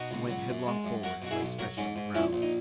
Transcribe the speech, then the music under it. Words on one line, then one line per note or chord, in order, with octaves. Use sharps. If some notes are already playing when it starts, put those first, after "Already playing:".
He went headlong forward and lay stretched on the ground.
Already playing: B2 D#4 F#4
C#2
F#3
F#2
G#3
F#2
F#3 F#4 A#4
B2 F#4
E4 G#4
B1
F#3 F#4 A#4
G#2 C#4
G#2
A#1 C#4 E4
A#1
D#4